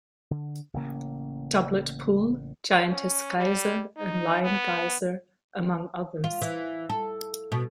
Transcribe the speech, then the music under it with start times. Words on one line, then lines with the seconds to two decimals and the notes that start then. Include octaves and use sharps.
Doublet Pool, Giantess Geyser and Lion Geyser, among others.
0.31 D3
0.74 A1 C#3 A#3 C#4
2.90 C#4
3.37 G3
3.97 D#4
4.43 B3
6.24 F4
6.42 E3
6.90 A4
7.52 B2